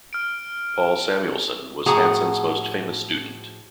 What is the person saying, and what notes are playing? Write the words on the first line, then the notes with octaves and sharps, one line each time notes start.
Paul Samuelson was Hansen's most famous student.
F6 D7
A2 F3 F#4 G#4 F#5 A#5